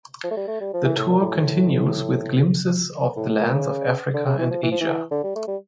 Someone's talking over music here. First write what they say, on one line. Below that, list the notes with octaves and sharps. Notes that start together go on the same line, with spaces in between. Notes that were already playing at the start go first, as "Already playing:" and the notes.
The tour continues with glimpses of the lands of Africa and Asia.
F3
A3
G3
A3
G3
F3
E3
A2
A#2
A2
A2
A2
A#2
C#3
D3
C#3
E3
F3
E3
F3
E3
D3
G3
A3
G3